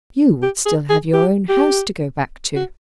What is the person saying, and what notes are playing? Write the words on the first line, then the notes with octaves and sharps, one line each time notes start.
"You would still have your own house to go back to."
G4
G#4
G#4
G4
G4
F#4